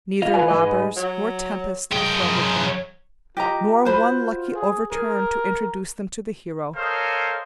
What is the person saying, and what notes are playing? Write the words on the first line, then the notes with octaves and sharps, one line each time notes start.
Neither robbers nor tempests befriended them, nor one lucky overturn to introduce them to the hero.
F4 D#5 F5
B4 G#5
G#2 G#3 D#5
F#3
F#2 G#3 G5
F4 G4 D#5 A#5
F#4 C5 B5
G#4
G#4 A#4
A4 A#4 C5 C#5 D#5 F5